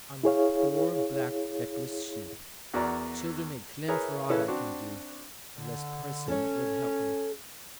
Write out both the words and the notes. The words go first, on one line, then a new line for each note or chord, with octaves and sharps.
I'm a poor black feckless sheep--childer may clem for aught I can do, unless, parson, yo'd help me?'
E4 G#4 C#5 F5
E2 F#4 A#4 D5 A#5
E4 G#4 A#4 B4 C#5 E5
C#3 E3 C#4 E4 A4 B4
C4 D4 F#4
D3
C#4 A4 C#5